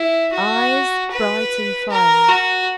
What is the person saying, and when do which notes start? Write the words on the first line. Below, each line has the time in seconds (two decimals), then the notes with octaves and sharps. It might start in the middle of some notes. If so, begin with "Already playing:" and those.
EYES--Bright and fiery.
Already playing: E4
0.33 F#4
1.12 B4
1.91 A#4
2.29 F#4